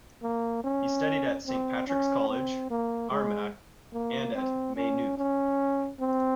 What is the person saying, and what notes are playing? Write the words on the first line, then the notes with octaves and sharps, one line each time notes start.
He studied at Saint Patrick's College, Armagh and at Maynooth.
A#3
C#4
C4
C#4
C4
A#3
G#3
A#3
C4
C#4
C#4
C4